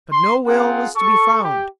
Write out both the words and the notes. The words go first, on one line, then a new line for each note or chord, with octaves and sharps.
But no will was to be found.
C6
C4 F4 G#4 A#4 F5 F#5
A4 C#6
G4